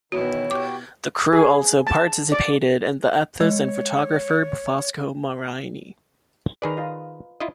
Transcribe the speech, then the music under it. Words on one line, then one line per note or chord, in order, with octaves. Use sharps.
The crew also participated in the ethos and photographer Fosco Maraini.
B2 D#3 E3 E4 F#4 C#5
F#4 G4 G5 D6
G#4
A5
D5
G#3 C#5
D#3 G#4 B4 D5 A#5
F4 D#5
E4 F4 D#5